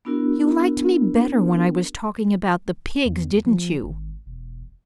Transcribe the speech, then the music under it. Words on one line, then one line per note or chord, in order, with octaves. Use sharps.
"You liked me better when I was talking about the pigs; didn't you?"
B3 D4 E4 F#4 A#4
E2
F3
G#1
E1